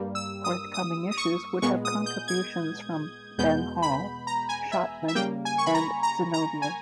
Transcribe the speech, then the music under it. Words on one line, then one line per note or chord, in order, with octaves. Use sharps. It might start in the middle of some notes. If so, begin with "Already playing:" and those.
Forthcoming issues would have contributions from Ben Hall, Shachtman, and Zinoviev.
Already playing: G2 G3 A#3
E6
D#6
D#6
D#6
C#6
A#2 G#3 B3 C#6
D#6
G6
G#6
E2 B2 G#3 B3 G6
B5
A#5
G#5
E5
E5
C#3 G3 A#3 G5
G#5
C#6
B5
A#5
A#5
A#5
G#5